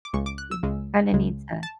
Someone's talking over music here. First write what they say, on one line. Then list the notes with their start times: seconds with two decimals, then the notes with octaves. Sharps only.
"You kinda need to
0.05 D6
0.13 C#2 C#3 G#3 C#6
0.26 D6
0.38 F#6
0.51 E6
0.63 C#2 C#3 G#3
1.13 C#2 C#3 G#3
1.63 A5